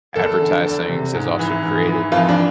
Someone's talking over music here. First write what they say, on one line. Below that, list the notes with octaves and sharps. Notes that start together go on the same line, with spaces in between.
advertisings has also created,
E2 A4
D3
E2
C3
G#2
E3
G#2
E3
F2 F4
D4